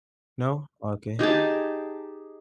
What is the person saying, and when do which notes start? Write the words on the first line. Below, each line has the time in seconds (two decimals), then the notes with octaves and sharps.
No? Okay.
1.19 D#4 G4 G#4 A5